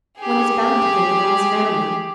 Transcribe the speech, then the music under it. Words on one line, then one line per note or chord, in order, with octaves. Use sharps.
One is bound to think of one's family.
G4 G#4